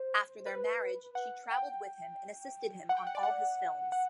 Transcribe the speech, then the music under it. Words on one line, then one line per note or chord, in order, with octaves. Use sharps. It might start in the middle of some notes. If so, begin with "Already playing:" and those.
After their marriage she traveled with him and assisted him on all his films.
Already playing: C5
B4
B4
F#5
G5
F#5
G5
F#5
D5
F#5
F#5